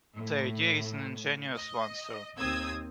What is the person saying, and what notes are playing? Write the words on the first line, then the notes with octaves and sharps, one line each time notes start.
The idea is an ingenious one, sir.
A2
D#5
D#2 C4 D#6 E6 G#6